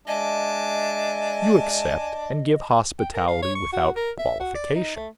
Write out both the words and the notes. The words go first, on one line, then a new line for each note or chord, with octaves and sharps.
You accept and give hospitality without qualification.
G#3 D4 D#5 E5 G#5 A5
G5
A#4
F5
C#5
C#6
F#4
A#4
E5
F#4
D5
D#4
A3